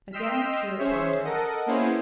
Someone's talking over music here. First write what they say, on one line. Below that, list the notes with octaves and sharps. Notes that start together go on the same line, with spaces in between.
Again the curate pondered.
D#5 G5 C6 E6 F6 B6
C#4 G#4 C5 C#5 E5
A4 A#4 D#5 F#5
A#3 B3 C#4 E4 G#4 C5